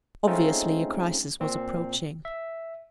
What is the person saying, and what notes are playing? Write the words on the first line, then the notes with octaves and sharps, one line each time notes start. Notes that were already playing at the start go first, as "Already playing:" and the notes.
Obviously, a crisis was approaching.
G#3 A3 C4 C#4 D#4 F4
A#2 C4
E5